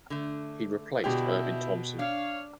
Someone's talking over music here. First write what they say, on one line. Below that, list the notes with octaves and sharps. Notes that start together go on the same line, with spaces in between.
He replaced Ervin Thomson.
D3 A3
B2 D3 E4 G4 G#4 D5
D4 C#5 F5